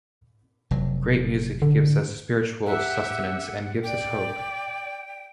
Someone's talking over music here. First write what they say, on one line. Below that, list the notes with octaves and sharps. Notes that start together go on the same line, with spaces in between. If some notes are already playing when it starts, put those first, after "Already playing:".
Great music gives us spiritual sustenance and gives us hope.
F1 F#3
D3
G4 E5 F#5
D5 G5